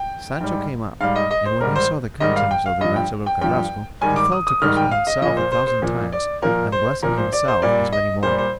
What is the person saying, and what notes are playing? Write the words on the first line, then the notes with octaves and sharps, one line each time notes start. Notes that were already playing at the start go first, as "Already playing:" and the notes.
Sancho came up, and when he saw the countenance of the bachelor Carrasco, he fell to crossing himself a thousand times, and blessing himself as many more.
Already playing: G5
G#2 G3
G#2 G3 F5
D#5
D#5
C5
G#2 D#3 G3 A#4
C5
G#2 D#3 G3 D#5
F5
G5
F5
G2 F3 D#5
G5
G5
G2 F3 G5
G#2 D#3 G3 G#5
D6
D#6
D#6
G#2 D#3 G3 F6
G5
F5
D#5
A#2 F3 D#5
C5
C5
C5
A#2 F3
D5
A#2 F3 A#4
C5
A#2 F3 A#4
C5
D5
C5
A#2 G3 D5
D#5
A#2 G3 C5
C5